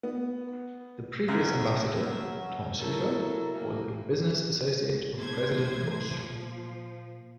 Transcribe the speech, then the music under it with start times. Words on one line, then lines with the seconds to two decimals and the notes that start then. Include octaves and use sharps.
The previous Ambassador, Tom Schieffer, was a business associate of President Bush.
0.03 B3
1.28 F#2 C#3 E5
2.05 F#3
2.79 F#3 E4 A4 A#4
3.54 A2 C#3 A3 A#3
5.18 A2 A#3 B3 C5 G#6
5.79 G2 E3 F#3
6.11 A#2 F3